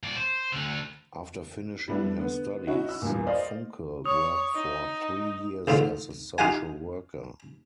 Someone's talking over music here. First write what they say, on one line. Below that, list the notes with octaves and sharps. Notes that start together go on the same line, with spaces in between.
After finishing her studies, Funke worked for three years as a social worker.
D#2 D5
C5
D2 D3
G3 B3 D4 E4
D3 B3
C#4 D#4 E4 F#4
E6
E2 G2 A#2
C5 D5 D#5 F5
C#5 D#6
D#4
A1 G#2 D3 F4
D#4 F4 G4 F5 F#5 G#5